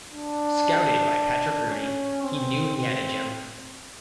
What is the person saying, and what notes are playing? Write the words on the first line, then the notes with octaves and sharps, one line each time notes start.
Scouted by Patrick Rooney, he knew he had a gem.
D4
C#4
C4
C4